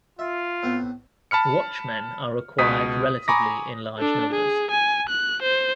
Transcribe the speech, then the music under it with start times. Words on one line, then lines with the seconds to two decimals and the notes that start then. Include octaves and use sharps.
Watchmen are required relatively in larger numbers.
0.19 F4 E5
0.63 A2 B3 C4
1.31 A5 B5 F6 C#7
2.59 C#2 B2 D#6 B6
3.28 G#5 A#5 B5 C#6 D6 A#6
3.98 D4 A4
4.29 G#4
4.71 G#5
5.09 F#6
5.43 C5